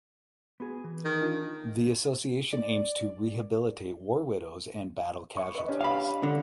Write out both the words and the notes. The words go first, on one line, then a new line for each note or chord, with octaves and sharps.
The association aims to rehabilitate war widows and battle casualties.
B3 F#4 G#4
E3
D#3
D4 F4 D#5
D5
C#6
B4 D#5
C#4 D4 G4
F5 B5
D3